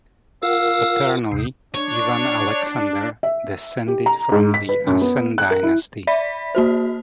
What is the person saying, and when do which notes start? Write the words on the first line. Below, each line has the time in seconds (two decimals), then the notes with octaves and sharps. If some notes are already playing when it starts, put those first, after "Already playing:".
Paternally, Ivan Alexander descended from the Asen dynasty.
0.43 F4 A#4 F5 F#5 E6
1.32 D#2 C3
1.75 D4 C#5
3.23 E5
3.88 G4
4.06 A#5
4.32 G#2
4.54 B6
4.69 B4
4.87 F#2
5.01 B3
5.38 F#6
5.51 A#4
5.63 E4
6.07 D5 E5 B5 B6
6.55 A#3 F#4 C5